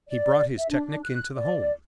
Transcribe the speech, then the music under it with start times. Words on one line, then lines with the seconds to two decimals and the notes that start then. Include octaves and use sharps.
He brought his technic into the home.
0.09 D5
0.58 E5
0.70 D4
1.04 F#6
1.37 D5